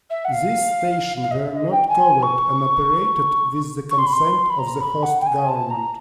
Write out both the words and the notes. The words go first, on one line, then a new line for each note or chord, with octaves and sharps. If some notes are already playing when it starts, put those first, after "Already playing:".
These stations were not covert and operated with the consent of the host government.
E5
F#5
F5
F5
D#5
E5
D#5
G5
G#5
C#6
C#6
C6
B5
C6
B5
A#5
B5
F#5
G5
G#5
A5
A#5